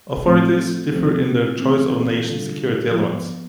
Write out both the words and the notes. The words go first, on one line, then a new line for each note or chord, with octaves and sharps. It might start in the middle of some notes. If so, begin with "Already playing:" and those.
Authorities differ in their choice of nation security elements.
A2 F3 A3 C4 F4
C3 F3 A3 C4 G4
E3 A3 C4
D3 G3 D4 F4 A4
F3 B3 F4